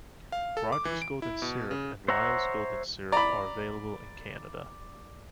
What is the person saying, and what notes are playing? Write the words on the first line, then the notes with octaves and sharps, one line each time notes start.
Rogers Golden Syrup and Lyle's golden syrup are available in Canada.
F5
A4
D6
E3
D7
E4
B2
C#3
C5 C#5 E5 F#5 A#5
D5 A#5 B5